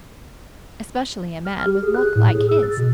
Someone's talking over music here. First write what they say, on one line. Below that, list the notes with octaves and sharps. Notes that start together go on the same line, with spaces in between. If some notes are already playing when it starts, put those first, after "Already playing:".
Especially a man with luck like his.
F6
G4
G#4
F#6
A2
G#4
E6
A6
B2